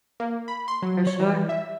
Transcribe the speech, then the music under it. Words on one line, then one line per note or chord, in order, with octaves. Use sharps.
For sure.
A#3
B5
C6
F#3
C#5
E3
E5